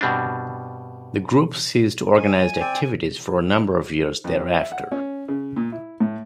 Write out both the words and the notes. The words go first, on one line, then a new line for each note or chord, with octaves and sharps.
The group ceased organised activities for a number of years thereafter.
G2 B2 G3 C4 D4
G#5
C4 D5 G5
F2
E5
F#5
C#4
C#3
A#2
E4
A2